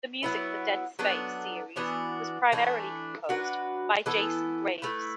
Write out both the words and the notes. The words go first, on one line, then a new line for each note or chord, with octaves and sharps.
The music for the "Dead Space" series was primarily composed by Jason Graves.
F#3 B3 E4
F#3 B3 D4 A4
E3 B3 D4 F#4
E3 A3 D4
F#3 D4 F#4 B4
E3 B3 E4 A4
A3 E4 B4